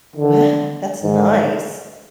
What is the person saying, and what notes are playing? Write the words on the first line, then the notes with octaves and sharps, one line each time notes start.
Wow, that's nice.
D3
G#2